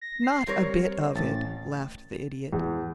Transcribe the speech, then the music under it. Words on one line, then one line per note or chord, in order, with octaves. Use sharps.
"Not a bit of it," laughed the Idiot.
A#6
C7
G3 C4 A#4 C#5
A1 A6
E2